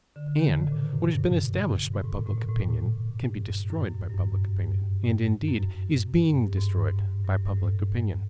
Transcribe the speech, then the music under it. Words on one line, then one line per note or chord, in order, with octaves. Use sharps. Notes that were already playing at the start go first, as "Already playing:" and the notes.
And what has been established by public opinion can be destroyed by public opinion--and, indeed, is being destroyed by public opinion.
D3
D3
D#3
C#3
A2
A#2
B2
F#2
G2
G#2
A2
A#2
A2
A#2
A2
A#2
A2
G2
F#2
G2
F#2
G2
F#2
G2
G2
G#2
G2
G#2
G2
G2
G2
A2